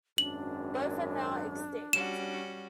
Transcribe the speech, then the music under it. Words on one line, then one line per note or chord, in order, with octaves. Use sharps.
Both are now extinct.
G#1 F#2 D4 F#7
G3 C#4 F#4 E7